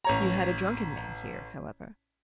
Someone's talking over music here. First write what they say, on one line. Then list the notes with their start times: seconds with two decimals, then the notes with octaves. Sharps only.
"You had a drunken man here, however."
0.04 A1 C#5 A#5